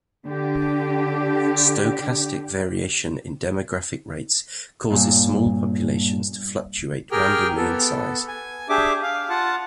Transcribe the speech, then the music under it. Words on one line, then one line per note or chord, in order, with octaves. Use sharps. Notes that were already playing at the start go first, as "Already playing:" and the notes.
Stochastic variation in demographic rates causes small populations to fluctuate randomly in size.
D3 G4
G2 A#2
G4 G#4 A#4 G5 F6
B3 A4
G#5
D4 G4 G#4 E5 D6
F5
F4 F#5 A5